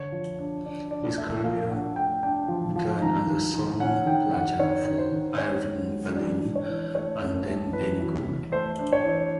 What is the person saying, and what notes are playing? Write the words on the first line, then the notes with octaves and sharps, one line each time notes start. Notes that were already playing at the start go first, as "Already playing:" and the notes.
His career began as a song plugger for Irving Berlin and then Benny Goodman.
Already playing: D3 C#5
F3
D4
D4 D5
D4 D5
A3 E5
F3 F5
D4 F#5
A3 G5
D4 G5
F3
F3
D#3 A#5
D#3
D#3
C#4 F#5
D#3 G5
D#3 F#5
D#3 C#5
D#3
C5
D#3
C#4 C#5
G#3
G#3
E3 D5
D4
C#5
E3
A3 C#5
A3
A3
E3 B4
E3
E3
A3 C5
D4
C#5
E3